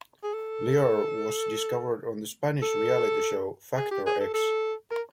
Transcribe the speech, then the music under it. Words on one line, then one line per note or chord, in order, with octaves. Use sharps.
Leire was discovered on the Spanish reality show "Factor X".
G#4
A4
A4
G#4
G4
G#4
A4
A4
A#4